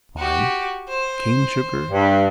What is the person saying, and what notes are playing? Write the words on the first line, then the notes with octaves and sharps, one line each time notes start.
Wine. Cane sugar.
F#4 G4
C5
G2